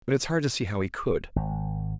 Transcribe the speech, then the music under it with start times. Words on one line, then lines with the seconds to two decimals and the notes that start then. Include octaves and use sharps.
But it's hard to see how he could.
1.36 G#1